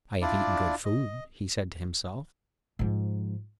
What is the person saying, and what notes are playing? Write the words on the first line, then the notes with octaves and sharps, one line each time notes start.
"I have eaten good food," he said to himself.
D4 E4 F4 D5
D#5
G#2 F3